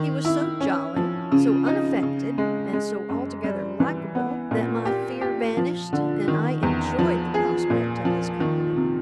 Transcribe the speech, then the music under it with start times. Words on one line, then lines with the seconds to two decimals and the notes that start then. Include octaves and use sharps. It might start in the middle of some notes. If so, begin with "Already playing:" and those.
He was so jolly, so unaffected, and so altogether likable, that my fear vanished and I enjoyed the prospect of his company.
Already playing: D#3
0.25 E4
0.61 C#4
0.96 F3
1.32 C#3
1.67 D#4
2.03 C#3
2.38 G#3
2.73 G#3
3.09 F#2
3.44 G3
3.80 E3
4.15 B3
4.51 A#2
4.85 G4
5.21 G4
5.57 F3
5.93 D3
6.28 D#3
6.63 E2
6.99 F3
7.34 G#4
7.70 A#2
8.05 F3
8.40 D#3
8.76 C3